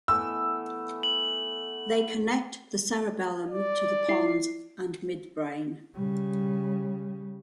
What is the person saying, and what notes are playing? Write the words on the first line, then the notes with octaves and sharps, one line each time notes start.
They connect the cerebellum to the pons and midbrain.
E3 A3 B3 E6
F#7
D5
E4 C7
C#3 G3